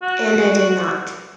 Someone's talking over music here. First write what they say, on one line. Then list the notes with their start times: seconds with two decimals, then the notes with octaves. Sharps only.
And I did not.
0.02 F#4